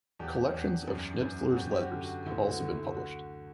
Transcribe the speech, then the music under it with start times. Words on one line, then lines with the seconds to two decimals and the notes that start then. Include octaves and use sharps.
Collections of Schnitzler's letters have also been published.
0.19 E2 G4
0.54 E2
0.88 F#2
1.23 F#2
1.51 F#4
1.56 F#2 G4
1.71 G4
1.80 F#4
1.91 D3
2.03 F#4
2.26 D2 E4
2.40 E4
2.49 F#4
2.60 D2
2.72 E4
2.94 F#4